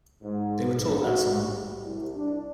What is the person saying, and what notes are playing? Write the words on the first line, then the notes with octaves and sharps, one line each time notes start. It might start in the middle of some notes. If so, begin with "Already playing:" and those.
They were taught that song.
G#2
G#2
F#4
G3
C2
D4